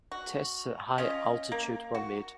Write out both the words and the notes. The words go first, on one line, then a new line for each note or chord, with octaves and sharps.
Tests at high altitude were made.
F#4
C#4 F4 D#5
A#3
F#4